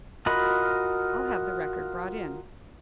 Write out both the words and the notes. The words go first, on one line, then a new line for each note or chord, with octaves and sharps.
"I'll have the record brought in."
F4 F#4 A#4 D#5 B5